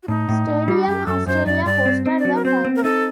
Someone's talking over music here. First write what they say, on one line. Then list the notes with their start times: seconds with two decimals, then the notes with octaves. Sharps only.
Stadium Australia hosted the Final.
0.03 F#4
0.08 A2 D#4
0.29 A2
0.48 A2
0.68 G3
0.87 F#2 G4
1.07 F#2 A4
1.27 F#2 C5
1.46 F#2 D5
1.66 G2 D5
1.86 C4
2.06 C4
2.19 D5
2.25 F#3
2.35 A#4
2.45 C4 C5
2.65 C4
2.76 A#4
2.84 D#4 A4